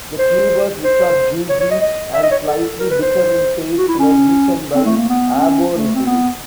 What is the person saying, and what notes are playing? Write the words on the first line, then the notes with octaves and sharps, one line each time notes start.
The tubers, which are juicy and slightly bitter in taste, were eaten by Aborigines.
C5
C5
C#5
C#5
D#5
D#5
E5
D#5
C#5
A4
A#4
B4
C5
F#4
E4
C#4
C4
A3
A#3
B3
C4
C#4
A3
C4
B3